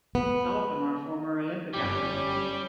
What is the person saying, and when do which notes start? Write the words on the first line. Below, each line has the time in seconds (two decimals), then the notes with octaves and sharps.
Some of them are former Olympic athletes.
0.15 B3
1.73 G1 F#2 G3 C#4 G4